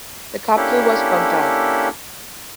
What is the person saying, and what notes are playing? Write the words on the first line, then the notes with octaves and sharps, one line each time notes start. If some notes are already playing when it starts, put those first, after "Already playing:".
The capital was Baghdad.
A#3 C#4 D4 E4 G4 A4